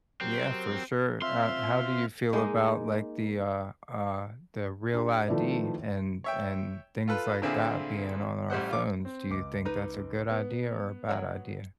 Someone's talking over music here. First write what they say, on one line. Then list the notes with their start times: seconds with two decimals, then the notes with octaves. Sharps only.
Yeah, for sure, uh, how do you feel about, like, the, uh uh the REAL ID and and things like that being on our phones, do you think that's a good idea or a bad idea?
0.21 F#3 C4 G4 A#4
1.22 C4 F4 E5 F5 C6
2.33 G#3 A#3 D#4
4.93 D4 G4
5.28 D#3 F3 A3 E4 B4 D5
6.24 C#5 E5 G5
7.08 F4 A4 B4
7.42 A#2 D3 C4 E4 F4 G#4
8.50 A1 G3 C5 F#5
8.70 F4 D6
9.05 C4
9.30 C#2 D6
9.65 D#4 B4
10.31 B3
11.09 F#3 C4 C#5